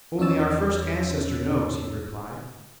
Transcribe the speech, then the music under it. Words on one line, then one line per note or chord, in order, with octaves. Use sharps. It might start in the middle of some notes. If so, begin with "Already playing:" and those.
"Only our first ancestor knows," he replied.
E2 C#4 D#4 C#5 E6 A6